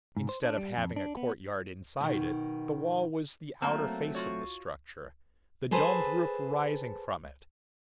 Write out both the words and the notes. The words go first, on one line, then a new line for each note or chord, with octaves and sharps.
Instead of having a courtyard inside it, the wall was the outer face of the structure, the domed roof rising from it.
G#2
C5
D4
G3
F2
D4
B3
B2 D#3
F#3 A3 A#3 C4
F4 F#4 C#5
G#4 A4 B4 C5